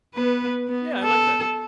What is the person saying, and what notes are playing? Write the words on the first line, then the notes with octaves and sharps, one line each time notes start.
Yeah, I like that.
B3 B4
B3
A4